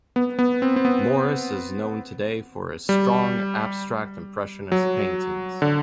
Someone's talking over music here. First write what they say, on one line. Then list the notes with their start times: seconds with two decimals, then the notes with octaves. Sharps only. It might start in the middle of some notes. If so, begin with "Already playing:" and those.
Morris is known today for his strong Abstract Impressionist paintings.
0.16 B3
0.39 B3
0.62 C4
0.76 C4
0.85 B3
2.89 G3
4.72 F#3
5.62 D3